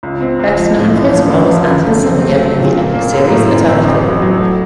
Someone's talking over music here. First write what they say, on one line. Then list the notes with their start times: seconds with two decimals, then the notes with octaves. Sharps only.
Best known for his role as Anton Savelyev in the epic series Eternal Call.
0.03 C#2
0.21 C4
0.39 C#2
0.58 F3
0.76 A2
0.94 A1
1.12 F3
1.30 F#2
1.49 F3
1.66 C#3
1.85 A3
2.03 C4
2.21 A3
2.39 F#3
2.58 A#2
2.76 A#3
2.94 A#3
3.12 F#2
3.30 A2
3.49 C4
3.67 C4
3.84 A1
4.03 F#3
4.22 F#3
4.39 A3